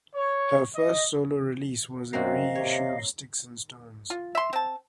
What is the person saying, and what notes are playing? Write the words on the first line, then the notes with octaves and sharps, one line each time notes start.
His first solo release was a reissue of "Sticks and Stones".
C#5
D#5
F#2 A#3 C4 F#4 D#5 F5
C3 C#5
F4
E5 C6
C4 A5